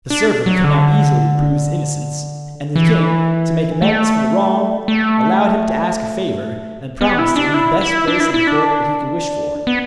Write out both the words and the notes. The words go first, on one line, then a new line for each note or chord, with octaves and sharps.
The servant could now easily prove his innocence; and the king, to make amends for the wrong, allowed him to ask a favour, and promised him the best place in the court that he could wish for.
D4
F#3
D3
E3
A3
A3
B3
E4
D4
E4
E4
D4
E4
E4
D4
B3